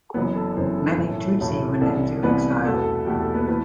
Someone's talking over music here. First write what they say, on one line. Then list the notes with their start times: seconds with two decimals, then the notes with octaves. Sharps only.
Many Tutsi went into exile.
0.14 F#1 F#2 E3 B3 B4
0.36 A4
0.56 F#1 F#2 E3 C4 C5
0.77 A4
0.98 B1 A2 E3
1.40 B1 A2 E3
1.81 C2 C3 E3 A4
2.23 C2 C3 E3 B3 B4
2.65 E2 B2 A3 A4
2.74 B4
2.84 A4
3.06 E2 B2 A3 G4
3.21 A4
3.34 B3 B4
3.48 E3 A3 B3 B4